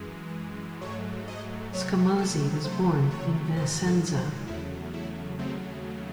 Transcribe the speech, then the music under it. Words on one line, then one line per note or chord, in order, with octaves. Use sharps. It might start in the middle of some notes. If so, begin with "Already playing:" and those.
Scamozzi was born in Vicenza.
Already playing: F#2 E3 G#3
G#2 F#3 A3 C#5
D#5
C3 F#3 A3 C#5
A4
C3 F#3 A3 C5
C#5
G#2 D#3 F#3 C5
A4
C5
E2 C#3 F#3 A3 E4
E4
D#2 C#3 F#3 A3 C4